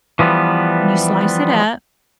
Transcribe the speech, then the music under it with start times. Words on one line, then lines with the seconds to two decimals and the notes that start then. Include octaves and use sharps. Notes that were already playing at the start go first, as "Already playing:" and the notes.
and you slice it up
0.19 E3 F3 G3 B3